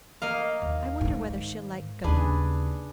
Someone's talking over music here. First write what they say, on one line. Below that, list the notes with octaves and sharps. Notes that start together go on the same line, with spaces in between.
I wonder whether she'll like going.
A#3 D#5 F5
D#2
G#2 D#3
D#2 C#3 D4 G#4 B4